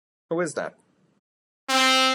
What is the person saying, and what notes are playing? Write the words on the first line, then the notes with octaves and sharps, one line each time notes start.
Who is that?
C4